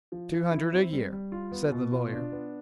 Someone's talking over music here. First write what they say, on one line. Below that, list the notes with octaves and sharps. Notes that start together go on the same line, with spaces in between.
"Two hundred a year," said the lawyer.
F3
F3
E4
C4
G3
G3
F4
B3
B2
F4
D4
B3